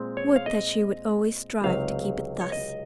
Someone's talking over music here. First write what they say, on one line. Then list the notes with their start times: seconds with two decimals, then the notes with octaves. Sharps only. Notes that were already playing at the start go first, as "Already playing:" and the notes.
Would that she would always strive to keep it thus.
Already playing: A#2 G#3 C4
0.17 C#5
0.36 F5
0.46 D#5
1.64 C#2 C3 F#3 C4 D#4 F5
2.41 C#5
2.52 D#5